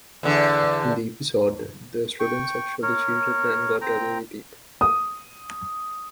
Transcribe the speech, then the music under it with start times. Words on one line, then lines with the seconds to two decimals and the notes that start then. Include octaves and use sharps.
In the episode, the students actually cheated and got away with it.
0.23 E2 D3
2.20 G5 C#6
2.83 A#4 C#5
3.81 C4 G5 A#5
4.81 D#6